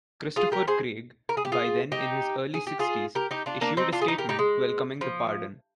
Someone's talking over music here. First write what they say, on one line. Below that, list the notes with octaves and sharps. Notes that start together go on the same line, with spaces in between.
Christopher Craig, by then in his early sixties, issued a statement welcoming the pardon.
F4 G#4
G4 A#4
G#4 C5
A#4
G#4
G4
F4 G#4
D#4 G4
G#4
G4
F4 G#4
G4 A#4
D#4 G4
D4 F4
A#3 D4
C4 D#4
D4 F4
G#4
D#4 G4
G4 A#4
D#4 G4
G#3
F3